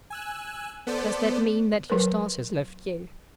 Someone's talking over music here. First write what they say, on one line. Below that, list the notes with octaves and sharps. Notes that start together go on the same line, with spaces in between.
"Does that mean that Eustace has left you?"
G#5 E6 F#6
B3 A4 C5 D5
F#3 A#4 B4